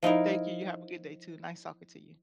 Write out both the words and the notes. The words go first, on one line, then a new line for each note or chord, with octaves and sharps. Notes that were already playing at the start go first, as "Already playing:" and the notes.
Thank you, you have a good day too, nice talking to you.
F3 D#4 E4 A#4